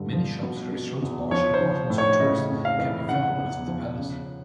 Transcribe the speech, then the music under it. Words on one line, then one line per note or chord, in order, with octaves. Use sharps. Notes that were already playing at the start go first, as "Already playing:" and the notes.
Many shops, restaurants, bars and apartments for tourists can be found within the palace.
Already playing: G2 D3
F3
B2
B2
E2
F3 C#5
C5
F3
A2
C#5
C#3 D#5
F2
F5
E3
C#3 F#5
E2
F3
C#3